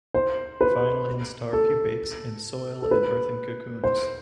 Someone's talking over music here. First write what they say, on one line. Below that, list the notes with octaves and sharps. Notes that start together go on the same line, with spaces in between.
Final instar pupates in soil in earthen cocoons.
C5
B4
A4
A4
B4
C5